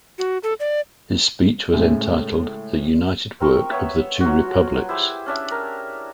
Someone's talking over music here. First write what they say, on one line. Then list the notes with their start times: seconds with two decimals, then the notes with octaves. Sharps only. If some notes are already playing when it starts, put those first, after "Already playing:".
His speech was entitled The United Work of the Two Republics.
0.18 F#4
0.43 A4
0.60 D5
1.72 A2 C#3 G#3 A3 C#4
3.40 C4 A#4 C#6
3.69 B3 C#5 E5
4.20 F#3 F4 F#4
4.89 E4 G4 G#4 C5
5.26 C#4 D4 E5
5.51 A#4